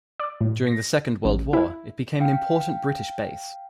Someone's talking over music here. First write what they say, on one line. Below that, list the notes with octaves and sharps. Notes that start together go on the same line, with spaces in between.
During the Second World War it became an important British base.
D5
A2
A#6
A1
E4
F5 G5